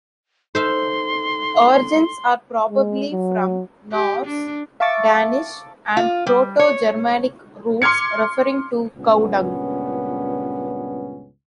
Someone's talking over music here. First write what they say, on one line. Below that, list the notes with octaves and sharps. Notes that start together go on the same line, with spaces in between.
Origins are probably from Norse, Danish, and Proto-Germanic roots referring to cow dung.
D#4 A4 C5 E5 F5 C6
G#3
F#3
G4
D4
E5 F5 A5 C#6 D6 A6
F4
G3
C#5
C6 D6 F6 G#6 C#7
C#2 G2 A#2 B3 C#4